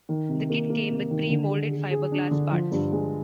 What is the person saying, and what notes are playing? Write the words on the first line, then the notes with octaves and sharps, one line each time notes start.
The kit came with pre-molded fiberglass parts.
D#3
C3
A#3
A#3
C3
D#3
D3
G#4
G#4
G#4
D4
D3
F3
G2
G#3